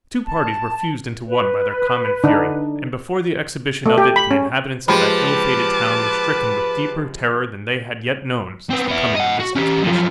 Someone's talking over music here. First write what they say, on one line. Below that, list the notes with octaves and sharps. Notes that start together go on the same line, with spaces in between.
The two parties were fused into one by their common fury, and before the exhibition of it the inhabitants of that ill-fated town were stricken with deeper terror than they had yet known since the coming of this expedition.
A5
B4
D3 D4 D#4
A3
G4
B5
C#4
F3 G#3 G4 B4 A5 B5 D6
B3 C4
B3 E4
D#5 F#5
F#4
C#4 G4
F#2 F3